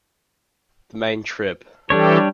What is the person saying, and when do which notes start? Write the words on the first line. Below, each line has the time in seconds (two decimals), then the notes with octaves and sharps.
The main Trib.
1.90 E3 G3 D4 G4 A4 C#5